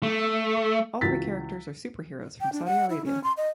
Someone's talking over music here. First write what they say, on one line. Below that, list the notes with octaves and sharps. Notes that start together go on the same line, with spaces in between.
All three characters are superheroes from Saudi Arabia.
A3
C#2 E3 F#4 A6 B6
G5
D4
F#5
E4
C#4
C6
D#5